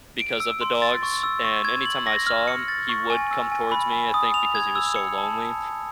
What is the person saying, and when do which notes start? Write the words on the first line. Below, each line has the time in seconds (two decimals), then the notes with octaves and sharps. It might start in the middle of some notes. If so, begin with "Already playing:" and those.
because of the dogs, and anytime I saw him, he would come towards me, I think, because he was so lonely,
0.20 D7
0.40 E6
0.61 C6
0.82 A6
1.03 C#6
1.23 E6
1.44 C#6
1.65 G#6
1.85 F#7
2.07 A#6
2.27 F6
2.48 C#7
2.68 A6
2.89 C#6
3.10 G#5
3.31 E6
3.52 G#5
3.72 B5
3.92 G#5
4.14 D#6
4.34 F7
4.55 G#6
4.75 E6
4.96 C#7
5.18 A5